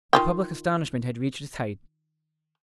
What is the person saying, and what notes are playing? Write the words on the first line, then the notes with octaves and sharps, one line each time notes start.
The public astonishment had reached its height.
D#3 F4 G5